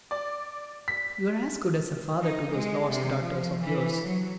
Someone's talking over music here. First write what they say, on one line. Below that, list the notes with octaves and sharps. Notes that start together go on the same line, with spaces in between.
You are as good as a father to those lost daughters of yours.
D5
B6
D#4
G#3
C3
F3
E3
F#3